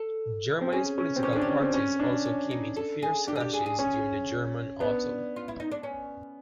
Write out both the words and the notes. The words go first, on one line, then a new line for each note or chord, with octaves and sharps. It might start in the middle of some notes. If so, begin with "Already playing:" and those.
Germany's political parties also came into fierce clashes during the German Autumn.
Already playing: A4
C4
C#4 G#4
C#4
C4
C#4 G4
D4 G#4
G4
C#4
C4
C#4
D4
C#4
D#4
A4
G#4
D4 G4
G#4
G4
G#4
G#4
C#4 G#4
B3 D4
F4
E4
D#4
D4
C#4